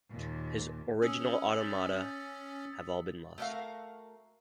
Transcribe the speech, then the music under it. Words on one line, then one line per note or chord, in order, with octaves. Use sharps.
His original automata have all been lost.
D#2 A#2
C#4 D#6 E6 C#7
A6 B6
A3 F#4 A#4 D5 E5 F5